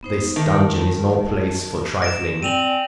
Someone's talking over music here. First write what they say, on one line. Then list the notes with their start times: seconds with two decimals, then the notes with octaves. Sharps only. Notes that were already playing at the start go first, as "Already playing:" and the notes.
This dungeon is no place for trifling.
0.03 B3 D#4 C5
0.36 D#3 A5
2.02 A#6 D7 E7
2.43 C4 D5 G5 G#5 D#7 F7 F#7